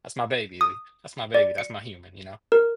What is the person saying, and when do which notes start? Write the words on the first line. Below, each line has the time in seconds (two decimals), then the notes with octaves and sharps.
that's my baby, that's my baby, that's my human, you know.
0.61 D#6
1.34 D5
1.58 C#7
2.52 A#4